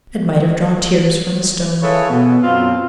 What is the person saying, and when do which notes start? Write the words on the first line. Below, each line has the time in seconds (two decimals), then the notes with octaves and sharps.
It might have drawn tears from a stone.
1.81 E4 F4 G#4 A4 B4 C#5
2.09 B2
2.42 F#2 B2 C4 F4